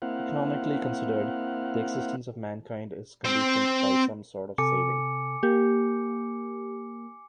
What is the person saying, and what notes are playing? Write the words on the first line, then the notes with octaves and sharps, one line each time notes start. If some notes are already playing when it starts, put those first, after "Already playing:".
Economically considered, the existence of mankind is conditioned by some sort of saving.
A#3 C4 E4 F5 F#5
C4 C5
C3 A4 G#5 D6 C#7
A#3 G4